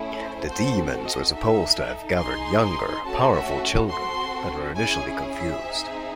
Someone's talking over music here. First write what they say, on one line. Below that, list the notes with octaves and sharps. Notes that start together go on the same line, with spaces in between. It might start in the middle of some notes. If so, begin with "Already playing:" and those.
The demons were supposed to have gathered younger, powerful children but were initially confused.
Already playing: A3 C#4 E4 G#4
C5
C4 F#4 A4 C5
D#5
D#4 A4 E5
D#4 G#4 C6
C6
A3 C#4 F#4 A4 A5
E5
C4 F#4 A4 C6
C#4 E4 G#4 G#5
E5
C4 D#4 G#4